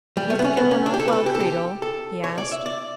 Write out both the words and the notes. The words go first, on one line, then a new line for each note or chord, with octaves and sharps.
"Do you think it went off well, Creedle?" he asked.
G3
A3
B3
C#4
B3
C#4
D4
G4
A4
B4
A4
G4
A4
G4
A4
C#5
D5
E5
D5